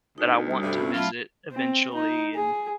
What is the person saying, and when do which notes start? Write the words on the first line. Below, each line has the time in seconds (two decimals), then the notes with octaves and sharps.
that I want to visit eventually and,
0.18 D2 D#4
0.47 G3 D#6
0.63 G2 C3 F#4 A4 B5
0.78 B3 C#4 F4
0.94 F#3 A3 E4 F4 A5
1.52 C4
1.95 D#4
2.35 G#4